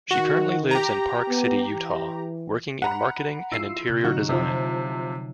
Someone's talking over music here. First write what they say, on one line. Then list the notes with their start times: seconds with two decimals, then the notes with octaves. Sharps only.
She currently lives in Park City, Utah, working in marketing and interior design.
0.11 D#3 F#4
0.71 G4 A#5
1.29 B3
1.70 E3
2.82 F#5 A#5 B5
3.52 E4 F4 E6 C7
3.89 C3
4.04 D3 F#3 D#4 F#4
4.29 C3 F3